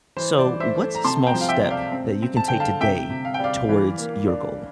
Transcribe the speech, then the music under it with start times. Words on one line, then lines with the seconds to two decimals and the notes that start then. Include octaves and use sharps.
So, what's a small step that you can take today towards your goal?
0.17 E3 C5
0.39 D5
0.46 E3
0.60 C5 E5
0.75 A3
0.95 A#5
1.04 C3 A5 C6
1.27 G5 A#5
1.34 F3
1.41 F5
1.49 E5 G5
1.63 C3
1.70 D5 F5
1.92 C4
2.22 C4
2.37 A5
2.48 D3 G5
2.60 F5 A5
2.81 C3 E5 G5
3.10 C3
3.25 F5
3.34 G5
3.39 G3 D5 F5
3.69 E3
3.98 A#3
4.27 D4